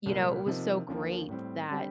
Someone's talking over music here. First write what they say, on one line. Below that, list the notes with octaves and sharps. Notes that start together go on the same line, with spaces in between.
you know, it was so great that
C2 A#2 G3
C3 F3 A#3 D#4
D#2 D3 F3 A#3
A2 G3 C4
D3 G3 C4 G4